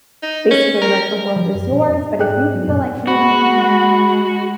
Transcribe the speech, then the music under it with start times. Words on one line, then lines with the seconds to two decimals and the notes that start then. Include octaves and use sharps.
"Basically, like the world is yours, but if you feel like you need
0.23 D#4
0.51 C#4
0.82 A#4
1.36 F3
1.55 F#2
1.71 A#2
1.89 F2
2.19 G#2 G#4 A4 D5 G5 F#6
2.55 F#3 B3
2.67 F#2 A#2 D5
3.07 G#3 F#4 B5